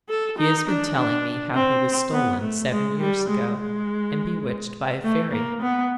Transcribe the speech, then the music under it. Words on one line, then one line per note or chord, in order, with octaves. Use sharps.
He has been telling me how he was stolen seven years ago, and bewitched by a fairy.'
A4
D#4
D4
D4
C4
B3
A3
G#3
G3
G#3
G#3
A3
A#3
B3